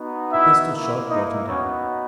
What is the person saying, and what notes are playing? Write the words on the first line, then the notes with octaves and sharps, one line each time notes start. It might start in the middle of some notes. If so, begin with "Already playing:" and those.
A pistol-shot brought him down.
Already playing: B3 D#4 F#4
E4 E5
A#3 E4
D#4 D#5
B3 C#4 D#4 F#4 C#5